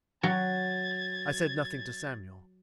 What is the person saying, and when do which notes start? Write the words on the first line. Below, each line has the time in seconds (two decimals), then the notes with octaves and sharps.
I said nothing to Samuel.
0.23 F#3 G#6 A6